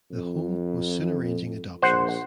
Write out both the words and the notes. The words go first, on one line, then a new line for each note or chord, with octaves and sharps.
The home was soon arranging adoptions.
F2
A#1 C5 F#5